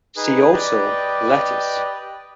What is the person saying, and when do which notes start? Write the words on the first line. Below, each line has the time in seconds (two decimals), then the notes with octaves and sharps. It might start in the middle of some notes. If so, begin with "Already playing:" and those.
See also lattice.
0.17 D#4 G#4 B4
0.53 G4 B4 D5 D#5 G5